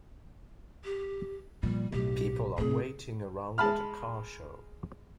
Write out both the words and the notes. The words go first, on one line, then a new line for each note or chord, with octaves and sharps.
People are waiting around at car show.
G4
A#2 F3 G3
B1 A2 G4
A2 C3 G#4
G#3 A5 B5 F6